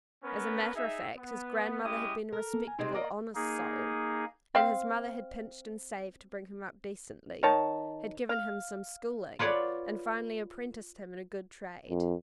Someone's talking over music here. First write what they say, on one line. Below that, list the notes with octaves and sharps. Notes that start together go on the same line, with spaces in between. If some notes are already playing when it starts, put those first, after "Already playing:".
As a matter of fact, his grandmother had been a respectable, honest soul, and his mother had pinched and saved to bring him up decently, had given him some schooling, and finally apprenticed him in a good trade.
B3 C#4 A#4 B4
D#4 G#4 E5
B3
G#3 C#4 E4 G4 D#6
A4 A#4
A#3 B3 A4
G#5
C3 G#3 C4 D#4
A#3 D5 D#5 D6
A#3 D#4 G#4
C4 F5
D#3 C#5 A5
F5
F4 B4 C#5 D5 F#5
F2